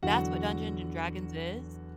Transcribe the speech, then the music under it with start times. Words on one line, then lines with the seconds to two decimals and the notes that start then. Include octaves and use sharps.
That's what Dungeons& Dragons is?
0.03 E2 D3 F#3 F#4 F#5